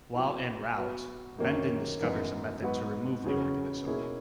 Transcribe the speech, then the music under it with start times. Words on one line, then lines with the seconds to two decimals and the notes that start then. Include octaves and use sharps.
While en route, Mendon discovers a method to remove the organism.
0.15 F#3 B3 E4
0.76 F#3 B3 F#4 B4
1.38 F#2 D#3 F#3 A#3 C#4
2.00 F#2 E3 B3 D#4 A#4
2.62 G#2 F#3 B3 F#4 B4
3.24 E2 C#3 F#3 C#4 G#4
3.86 B2 A#3 C#4 E4 G#4